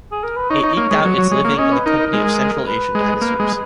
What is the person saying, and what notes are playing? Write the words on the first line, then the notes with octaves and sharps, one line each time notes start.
It eked out its living in the company of Central Asian dinosaurs.
G#4
A#4
B4
D#4 C#5
D#4
A#3
G#3
F#3
F#3
G#3
A#3
C#4 D#5
B4
D#4 A#4
A#4
G#3
B4
G#3
A#3
G#3